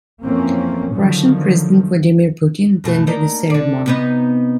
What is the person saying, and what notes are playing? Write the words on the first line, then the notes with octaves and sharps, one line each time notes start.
Russian president Vladimir Putin attended the ceremony.
F2 E3 A#3 C4 C#4
D3 D#3 F3 F#3
F#2 B2 A3
A#3 D4 D#4
D3 D5
C3 B3 D#4